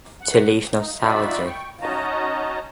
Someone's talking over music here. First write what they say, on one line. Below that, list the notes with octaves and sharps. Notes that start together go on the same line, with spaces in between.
To leave nostalgia.
F#5
D#4
D#4 F4 F#4 D5 E5 B5
G5 C#6
C#4 D#4 F#4 D#5 A5 A#5